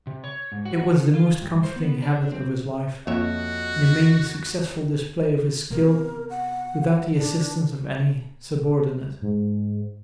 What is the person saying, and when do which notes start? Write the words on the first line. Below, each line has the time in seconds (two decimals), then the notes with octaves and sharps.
It was the most comforting habit of his life, in a mainly successful display of his skill without the assistance of any subordinate.
0.07 C3
0.24 C#5
0.52 G#2
0.65 F#4
0.91 D#3
1.13 F4
1.41 G2
1.63 C5
1.76 B3
2.02 D4
2.32 C4
3.07 F2 A#3 F4 F#4 C#5 D#5 E5
5.70 C3 B3 A#4
6.30 F#5
7.16 D4
9.22 G#2